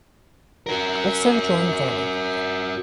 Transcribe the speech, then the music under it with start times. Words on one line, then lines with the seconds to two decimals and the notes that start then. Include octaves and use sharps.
Also drawn daily.
0.67 F#4 A#4